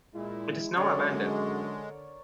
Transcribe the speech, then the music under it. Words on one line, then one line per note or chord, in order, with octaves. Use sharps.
It is now abandoned.
A#2 G#3 E4
F#2 D3 G#3 A#4 C#5 D5